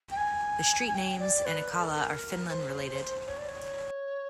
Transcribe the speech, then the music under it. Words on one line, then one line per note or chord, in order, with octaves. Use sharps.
The street names in Akalla are Finland related.
G5
G#5
G#5
G5
D5
B4
A#4
A4
A#4
C5
C#5
D5
C#5